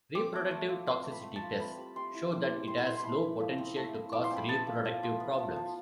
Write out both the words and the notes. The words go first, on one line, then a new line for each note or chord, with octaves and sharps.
Reproductive toxicity tests show that it has low potential to cause reproductive problems.
C4 D6
A3 D6
A3
F4
C4 C6
A3
B5
A3
A5
F4
C4 B5
G3
G3 C6
E4
C4 D6
G3
G3 C6
B5
E4 C6
C6
A3 B5
E4
F3
C4
A3
E4
F3 D6
C6
C4
B5
B3 A5
F3
F3
F4
B3
F3
F3